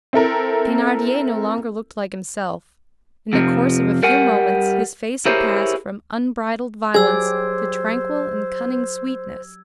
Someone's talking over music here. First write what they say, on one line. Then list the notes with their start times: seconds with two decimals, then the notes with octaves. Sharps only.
Thenardier no longer looked like himself; in the course of a few moments his face had passed from unbridled violence to tranquil and cunning sweetness.
0.13 C4 E4 A4 A#4
3.33 F2 C3 F3
4.03 G3 A#4 F#5 G#5
5.26 E4 G4 G#4 A#4 C5 C#5
6.94 F#3 G4 G#4 C5 D5 E6 G#6